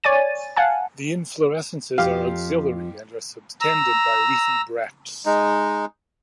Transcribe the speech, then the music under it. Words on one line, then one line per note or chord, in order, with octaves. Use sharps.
The inflorescences are axillary and are subtended by leafy bracts.
C#5 D5 G#5 A6 D#7
F5 F#5 G#5 A5
F2 F3 G4 F5
A#5 E6
G#3 D#4